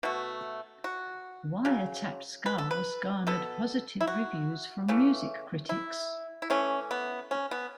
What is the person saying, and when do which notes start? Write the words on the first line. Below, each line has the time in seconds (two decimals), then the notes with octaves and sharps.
"Wiretap Scars" garnered positive reviews from music critics.
0.03 B2 A3 F#4
0.84 F#4
1.65 C#3 F#3
2.46 B4
2.58 A4
2.71 B4
3.27 B2 B3 A4
4.01 E4
4.07 F#4
4.88 C#3 E3 A3
5.69 E4
6.42 E4
6.50 E3 A3 C#4
6.91 B3
7.31 C#4
7.51 B3